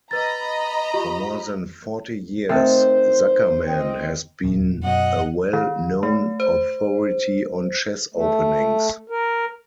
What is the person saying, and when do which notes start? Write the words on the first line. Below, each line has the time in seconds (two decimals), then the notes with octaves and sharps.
For more than forty years, Zuckerman has been a well-known authority on chess openings.
0.11 B4 D#5 A#5 B5 A6
0.94 F4 G4
2.49 D#3 A3 C4 A4 C5 E5
3.67 C4 D#5 G5
4.44 D#1 E2
4.83 F#2 B2 D#5 F#5
5.53 D#3
6.03 A3
6.40 C5
8.14 A3
9.10 A#4